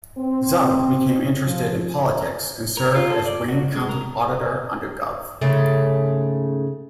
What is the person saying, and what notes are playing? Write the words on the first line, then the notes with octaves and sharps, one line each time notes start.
Zug became interested in politics and served as Wayne County Auditor under Gov.
C4
F3
A#4
F4
A4
D5
F#4
C#2
G#3
A#4
G#2 C#3 A3